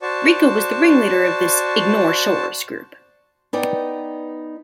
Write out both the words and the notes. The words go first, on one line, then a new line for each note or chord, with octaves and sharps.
Rico was the ringleader of this 'ignore Shores' group.
F#4 C5 D5 A5 C#6
B3 D#4 D5 G5